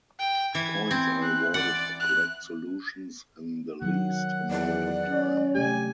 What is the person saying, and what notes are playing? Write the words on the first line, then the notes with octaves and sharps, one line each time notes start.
Points are awarded for correct solutions in the least amount of time.
G5
E3 G#6
C4
F#6
D5 F#5
F#6
D#3 F#3 F#5
E2 D5
C#4
C3 A3 G4 G#5